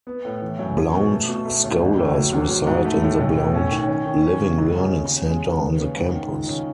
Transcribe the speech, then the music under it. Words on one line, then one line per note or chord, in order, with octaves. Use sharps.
Blount Scholars reside in the Blount Living Learning Center on the campus.
B3
A2
E3
F#2
C#4
B2
A3
B2
A3
D#2
A1
A2
F#3
E2
F#3
G#2
A3
A2
B1
A2
C#4
D#3
C#4
D#3
C#4
C#3
C#2
C#3
D#2
C#3
G#3
D#2
B3
C#3
G#2
D#3
C#2
C#3